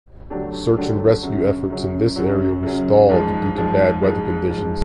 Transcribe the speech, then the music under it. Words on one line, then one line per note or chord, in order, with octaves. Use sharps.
Search and rescue efforts in this area were stalled due to bad weather conditions.
D3 F#3 A3 D4 G4
D3 F#3 A3 D4 G4
F#2 C#3 F#3
F#2 C#3 F#3
F#2 C#3 F#3
F#2 C#3 F#3
G#2 F3 G#3
G#2 F3 G#3
G#2 F3 G#3
G#2 F3 G#3